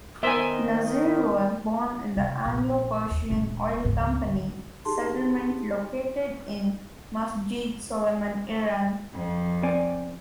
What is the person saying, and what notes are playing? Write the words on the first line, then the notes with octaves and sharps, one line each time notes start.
Nasseri was born in the Anglo-Persian Oil Company settlement located in Masjed Soleiman, Iran.
D#3 B3 A#4 C5 E5 G#5
C3
A#1
D#2
D#1 G#3
C#2 G#2
G#1 D3
D#4 G4 G#4 A5 C6
F2
C4 D5 G#5